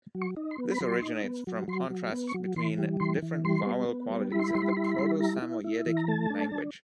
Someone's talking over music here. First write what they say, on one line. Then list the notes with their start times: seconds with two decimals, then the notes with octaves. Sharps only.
This originates from contrasts between different vowel qualities in the Proto-Samoyedic language.
0.15 F#3
0.22 C#6
0.37 D#4
0.51 C6
0.58 B3
0.72 B5
0.81 F#3 C6
1.02 D#4
1.24 B3
1.47 F#3
1.68 F#3 C6
1.90 F#3
2.12 B3
2.27 C#6
2.34 F#3
2.56 E3 C6
2.78 G3
3.00 E3 C6
3.22 E3
3.45 G3 C6
3.66 B3
3.89 B3
4.10 G3
4.32 E4 B5
4.40 C6
4.48 B5
4.54 G3 C6
4.62 B5
4.69 C6
4.77 E4 B5
4.84 C6
4.92 B5
4.99 G3 C6
5.06 B5
5.20 E4 A#5
5.42 E4
5.64 E4
5.86 E3
5.97 A#5
6.08 A3 A5
6.30 D4
6.52 D4